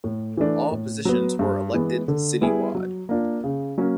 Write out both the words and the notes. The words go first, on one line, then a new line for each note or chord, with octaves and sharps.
All positions were elected citywide.
A2
E3 A3 D4
A2
F#3 B3
G2
E3 G#3 B3
D3
G3 B3 E4 G#4
F#3
A#3 D4 F4
C#3
F#3 A#3 C#4